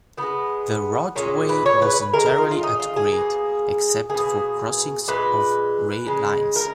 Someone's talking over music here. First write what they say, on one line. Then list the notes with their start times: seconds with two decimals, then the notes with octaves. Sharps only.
The roadway was entirely at-grade except for crossings of rail lines.
0.17 D#3 G#3 B3
1.16 A#2 G#3 C#4
1.49 B4
1.66 C#5
1.82 B4
2.14 D#3 G#3 A#4
2.26 A#4
2.38 F4
2.51 F4
2.63 D#4
2.80 F4
2.96 G#4
3.12 B2 A#3
4.10 B2 A#3 G#4
5.08 A#2 G#3 B4
6.06 C#3 G#3
6.56 A#4